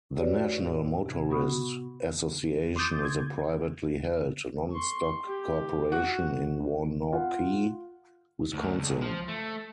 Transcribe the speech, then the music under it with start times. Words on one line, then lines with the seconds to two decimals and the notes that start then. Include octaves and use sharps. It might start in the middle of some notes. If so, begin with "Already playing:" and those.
The National Motorists Association is a privately held, Non-stock corporation in Waunakee, Wisconsin.
0.18 F#4 G4 B4 C#5 D5
0.56 A2
1.06 C3 G#6
1.30 B3 F#4 F#5 B5 C#6 D#6
2.76 C6 D6 D#6 G6 A6
3.05 G#6
4.72 C6 C#6
5.26 G4
5.92 F#4
7.13 F4 F#5
8.53 D2
8.79 C#2
9.03 F3
9.28 A3